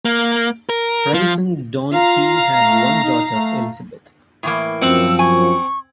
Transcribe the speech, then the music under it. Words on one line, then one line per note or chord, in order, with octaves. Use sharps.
Price and Donneky had one daughter, Elizabeth.
A#3
A#4
F3
F4 F5 A#5
A3
D#4
A3
A2 E3 A#3
F#2 F3 C4 F#5 E6
G#5 C#6